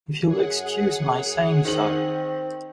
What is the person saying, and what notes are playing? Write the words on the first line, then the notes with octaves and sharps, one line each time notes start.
If you’ll excuse my saying so.
F#2 G#4 F#5
D#3 C4 F#7